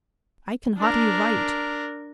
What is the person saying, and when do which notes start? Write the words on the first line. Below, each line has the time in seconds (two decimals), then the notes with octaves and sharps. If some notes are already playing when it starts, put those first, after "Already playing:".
I can hardly write.
0.78 D4 A#4